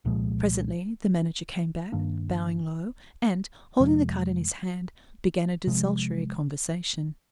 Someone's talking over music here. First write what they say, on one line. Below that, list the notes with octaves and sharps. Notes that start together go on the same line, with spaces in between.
Presently the manager came back, bowing low, and, holding the card in his hand, began a desultory conversation.
C2 A#2 F3 G#3
G2 D#3 A#3 D4
F2 C3 F3 G#3
C3 F3 G#3